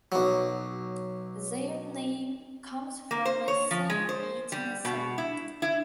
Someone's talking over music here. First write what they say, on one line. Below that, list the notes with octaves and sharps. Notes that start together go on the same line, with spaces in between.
Their name comes from a Saint Etienne song.
B1 F#3
A#3
C5
C#5
F3
G#3
C5
G3
B2
E4
E4